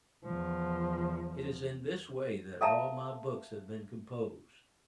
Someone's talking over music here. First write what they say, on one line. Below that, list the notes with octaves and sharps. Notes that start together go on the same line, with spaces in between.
It is in this way that all my books have been composed.
E2 F3
A4 E5 F5 A5 A#5